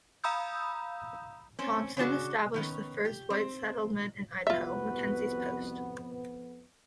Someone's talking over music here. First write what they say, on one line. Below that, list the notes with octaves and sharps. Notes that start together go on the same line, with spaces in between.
Thompson established the first white settlement in Idaho, MacKenzie's Post.
F5 A#5 B5 D#6 E6 G6
C4 C#4
C#3 G#3 D4 F#4
D#3 B3 C#4
G4
C4
C2 F2 B3 F4 F#4 B4 E5